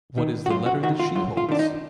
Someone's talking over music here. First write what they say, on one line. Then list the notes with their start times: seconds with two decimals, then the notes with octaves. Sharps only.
What is the letter that she holds?
0.18 D#3
0.46 F#4
0.50 F#2 F4
0.66 F#4
0.83 D#3 F#4
0.99 F4
1.15 F#2 F4
1.37 F4
1.49 D#3 D4
1.59 D#4